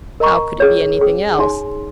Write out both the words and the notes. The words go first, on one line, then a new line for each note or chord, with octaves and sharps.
How could it be anything else!
A#4 D#5 A#5 C#6
C#4 G#4 C#5
C#4 G#4 C#5
D#4 G#4 C#5 G#5 C6